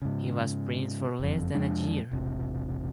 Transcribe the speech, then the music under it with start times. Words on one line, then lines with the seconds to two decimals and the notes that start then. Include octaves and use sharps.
He was prince for less than a year.
0.02 G#2 C#3
1.20 F#1 F2
1.55 F2 F3 G#3 D4
2.11 E1 A1 C3